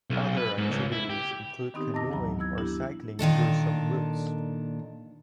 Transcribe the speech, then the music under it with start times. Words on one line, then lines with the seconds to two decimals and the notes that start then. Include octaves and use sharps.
Other activities include canoeing or cycling through some routes.
0.10 B1
0.37 B4
0.58 G#2
0.71 C#2
0.92 E4
1.10 G4
1.74 D#3 B3 C4 D#4 G4
1.94 F#2 D#5 A5 D6 E6 A#6
2.10 D2 G2 E3 F#3 A#5 B5
2.39 B3 E4 E6 G#6
2.57 B3 D4 E4 G4
3.19 A#2 D#3 D4 A4